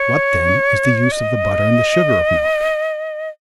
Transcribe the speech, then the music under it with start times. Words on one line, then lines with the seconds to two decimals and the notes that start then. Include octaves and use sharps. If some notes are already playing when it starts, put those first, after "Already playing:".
What, then, is the use of the butter and the sugar of milk?
Already playing: C#5
1.12 D#5